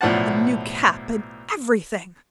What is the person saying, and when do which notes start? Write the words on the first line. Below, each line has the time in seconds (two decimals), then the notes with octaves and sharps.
A new cap, and everything!'
0.01 B1 A2 F3 D5 F#5 A5